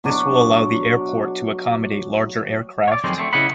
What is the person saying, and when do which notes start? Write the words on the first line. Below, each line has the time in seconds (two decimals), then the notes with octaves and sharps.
This will allow the airport to accommodate larger aircraft.
0.04 B2 F#3 D4
2.88 C#5 D5
3.04 F2 D#3 F#3 G#3 C4
3.18 D3 A3 C4
3.33 C#3 E4 D#5 F#5 B5